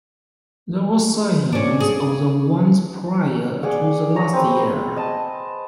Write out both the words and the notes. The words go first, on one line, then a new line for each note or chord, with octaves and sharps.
There were sightings of the ones prior to the last year.
C#4 D4
G#4
G#4 D5 F#5
C#5 A#5
C4 B4
D#5 A5